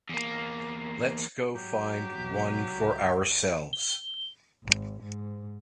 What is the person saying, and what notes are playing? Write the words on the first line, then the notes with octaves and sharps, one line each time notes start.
Let's go find one for ourselves!
E2 A#3
G#2 F#3 G4
B1
C#2
G7
G#1
G#2